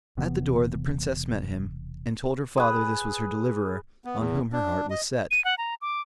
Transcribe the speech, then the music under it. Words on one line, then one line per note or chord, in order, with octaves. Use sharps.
At the door the Princess met him, and told her father this was her deliverer, on whom her heart was set.
E1 C3 E3 B3
G#4 B4
B3
E2
D4
D#5
D#7
F#5
A#5
D6